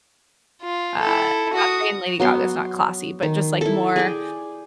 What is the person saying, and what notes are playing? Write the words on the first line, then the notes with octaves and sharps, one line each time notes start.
Uh not saying Lady Gaga's not classy, but just, like, more,
F4
E4 A4
F#4 D#6
F#3 B3 C6
D#3
E4 A4
G#4 D5 G5